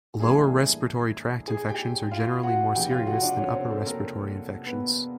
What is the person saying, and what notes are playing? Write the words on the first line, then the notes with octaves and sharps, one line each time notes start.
Lower respiratory tract infections are generally more serious than upper respiratory infections.
A2 E3 G3 A#3 D4 G#4 G#5
G#4 G#5
G4 G5
F4 F5
F#4 F#5
F1 D#2 C#3 G4 G5
F4 F5
F#4 F#5
D4 D5
C#4 C#5
C4 C5
A4
A#3 A#4
B3 B4